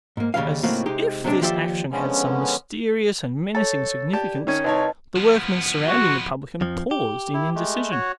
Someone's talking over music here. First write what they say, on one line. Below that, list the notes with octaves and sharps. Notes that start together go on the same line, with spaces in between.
As if this action had some mysterious and menacing significance, the workmen surrounding the publican paused in indecision.
G#2 A#3
D#2 C#3 E3 G3 G#3 F5
C#2 A2 A#3 C4 F#4 F5
C3 G#3 D#4 G4
C3 F#3 G#3 C4 D4
D#2 F3 F4 G4 D5 E5
D3 F3 G#3 B3 C#4
A4 C#5 A6
G4 D5 A5
D#3 C#4 D#4 C#5 G#6
C2 D#4 B4 C#5 D#5 A5
F3 B3
F#4
F2 F3
G4
E4
G#3 A3
F#4 C#5